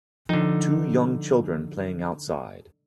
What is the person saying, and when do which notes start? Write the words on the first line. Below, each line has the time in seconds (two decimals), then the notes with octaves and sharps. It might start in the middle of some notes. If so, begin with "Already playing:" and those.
Two young children playing outside.
0.29 D3 F3 D#4